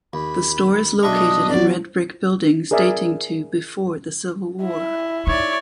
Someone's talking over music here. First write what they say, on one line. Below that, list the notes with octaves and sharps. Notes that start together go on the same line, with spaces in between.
The store is located in red brick buildings dating to before the Civil War.
D#2 B5
B1 D4 D#5 E5 C#6
D#6
E2 F#3 D5
G#4 A#4 D5 E5
E4
D#4 C#5 D5